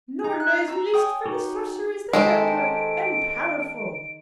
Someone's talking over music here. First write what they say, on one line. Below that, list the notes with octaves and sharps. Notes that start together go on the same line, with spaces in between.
Noorna, is released from the sorceries that held her, and powerful.'
D#4 A#5
F#6
A#5 E6
C#5 G5 G#5 D#6
D#4 F#4 G4
D#3 G#3 G4 A4 C5 D7